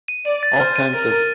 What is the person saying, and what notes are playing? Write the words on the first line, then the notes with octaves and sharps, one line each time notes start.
all kinds of,
D#7
D5 D#7
A6
C5 F6
D#7
A#4 A6
A6